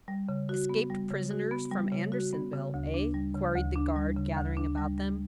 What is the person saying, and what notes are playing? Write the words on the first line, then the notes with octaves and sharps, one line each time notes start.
"Escaped prisoners from Andersonville, eh?" queried the guard gathering about them.
G3
C#3
F#4
B3
G3
C#3
F#4
B3
G3
C#3
F#4
B3
C#3
D2
D4
G3
C#3
D2
D4
G3
C#3
D2
D4
G3
G3